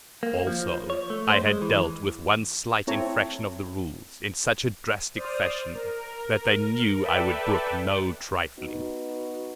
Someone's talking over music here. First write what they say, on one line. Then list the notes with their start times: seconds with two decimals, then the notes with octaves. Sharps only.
Also, I had dealt with one slight infraction of the rules in such a drastic fashion that they knew I would brook no trifling.
0.23 A#3
0.47 F3
0.90 C#5
1.10 A3
1.30 C5
1.46 G#3
1.62 E3
2.87 C4 E4 A4 C#5 A#5
5.14 C5 D5 D#6 F6
5.74 A#4
7.01 A4 B4 D5 E5 G5 A5
8.59 B3 D#4 F#4